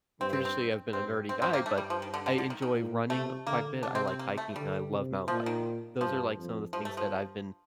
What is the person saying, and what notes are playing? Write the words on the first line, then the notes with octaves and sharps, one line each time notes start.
Traditionally, I've been a nerdy guy, but I enjoy running quite a bit, I like hiking, and I love mountain biking. Those are, like, some of the things that I've been,
G2 C4
C4
C4
G2 C4
G2 C4
C4
A#3
G2 A3
G3
F3
D#3
D3
D3
D3
D#3
D#3
A#2
C3 A3
D3 A#3
C3 D4
C4
C4
A#3
A3
D3 G3
C3
A#2 F3
D#3
G2 F3
F2
G2 F3
A3
F3